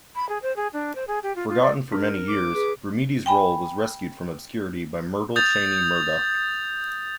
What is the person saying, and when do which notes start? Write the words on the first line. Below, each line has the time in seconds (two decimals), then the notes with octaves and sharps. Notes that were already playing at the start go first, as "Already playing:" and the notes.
Forgotten for many years, Brumidi's role was rescued from obscurity by Myrtle Cheney Murdock.
0.15 B5
0.29 G#4
0.42 C5
0.56 G#4
0.73 D4
0.95 C5
1.07 G#4
1.23 G4
1.36 F4
1.49 F4
1.62 D5
1.92 D4 A#4
2.28 D6
2.54 G#4 B4
3.26 G5 G#5 B5
5.36 D#6 G6 A6 F7